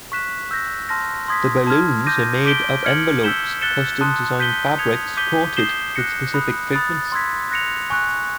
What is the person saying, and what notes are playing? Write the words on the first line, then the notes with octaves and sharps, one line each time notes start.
The balloons are made of envelopes custom designed fabrics coated with specific treatments.
C#6 F#6 B6 E7
E6 G6 A#6
A5 C6 F6 A#6
C6 D#6 G#6 B6
A5 C6 F6 G#6
D6 G6 A#6 D#7
D6 G6 B6 D7 G7
F6 G#6 C#7 F#7
E6 G6 B6 E7 G7
F#6 A6 C#7 E7 G7
A5 C6 D#6 F#6
G6 B6 D#7 G7
D#6 G#6 C#7 F7
D6 G6 B6 D#7 G7
D#6 G6 C7 E7 G7
F#6 A#6 C#7
B5 D#6 F#6
B5 D#6 F#6 A6
C6 E6 G#6 B6
F#6 A#6 C#7 F7
G#5 C#6 F#6